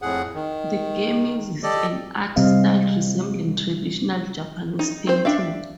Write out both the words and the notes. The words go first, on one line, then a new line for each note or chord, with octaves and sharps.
The game uses an art style resembling traditional Japanese painting.
F2 A2 G#4 F#5
D#3
G4 A4 D5 D#5
C3 G3 C4 D#5 F5
D#4
C4 C5
D4 E5 F5